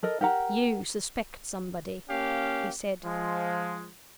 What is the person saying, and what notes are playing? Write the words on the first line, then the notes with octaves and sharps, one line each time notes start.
"You suspect somebody," he said.
A4 A#4 D#5
G4 A#4 F#5 A#5
A#3 C#4 G4 F5
F3 G#3